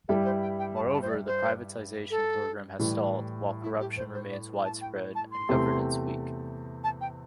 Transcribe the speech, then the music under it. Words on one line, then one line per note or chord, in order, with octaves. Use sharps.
Moreover, the privatization program has stalled, while corruption remains widespread and governance weak.
G2 G3 E4 G4 A4
C5
G5
G5
A5
C6
A5
C5
D5
C5
A4
A2 E3 G3
E4
G4
C5
C5
D5
A5
G5
A5
C6
E2 C3 A3 C4 G4
A5
G5